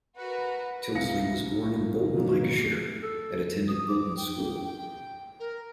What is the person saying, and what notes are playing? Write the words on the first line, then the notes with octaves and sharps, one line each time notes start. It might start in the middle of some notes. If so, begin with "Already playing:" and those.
Tyldesley was born in Bolton, Lancashire and attended Bolton School.
F#4 A#4 B4
C2 F5 A#6 C#7
F2 G#2 D#3 F#3 A#3
A3 G4
A4
D#6
D6
G5
G5
A#4